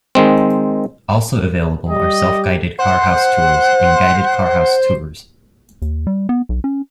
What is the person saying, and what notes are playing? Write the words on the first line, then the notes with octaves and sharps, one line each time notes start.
Also available are self-guided car house tours and guided car house tours.
D#3 G#3 C4
G3 G4 D#5
C5 F#5
D#2
G3
B3
B1
C#4